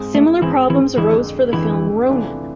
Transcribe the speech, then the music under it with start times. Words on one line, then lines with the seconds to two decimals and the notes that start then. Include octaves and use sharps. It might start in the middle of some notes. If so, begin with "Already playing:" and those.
Similar problems arose for the film "Ronin".
Already playing: G#2 G#3 C4 G#4
0.15 A3
0.42 G#2 E3 G#3 C4 E4 G#4
0.70 E3 E4
0.97 F2 D3 E3 G#3 E4
1.53 F2 D3 E3 G#3 E4
2.09 C3 E3 A3 D4 F4